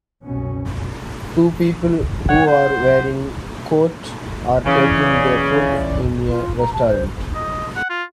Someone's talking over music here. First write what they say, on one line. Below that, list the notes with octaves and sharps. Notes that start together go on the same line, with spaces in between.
Two people who are wearing coat are taking their food in a restaurant.
F#1 C2 F#2 B2 C#4
C#5 F#5
C5
C#3 E3 C#4 D5
F4
A#5
A5
C5
D#5
F#5
F4